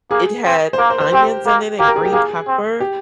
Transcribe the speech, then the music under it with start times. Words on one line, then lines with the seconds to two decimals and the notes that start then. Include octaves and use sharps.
It had onions in it and green pepper,
0.11 A#3 G#4
0.45 C4
0.73 C5
0.78 A#3 A#4
0.90 C5
1.00 C5
1.12 C4 G4
1.46 A#3
1.79 A#3 G4
1.88 A#4
1.96 G#4
2.05 G4
2.13 A#3 G#4
2.47 C4
2.80 G4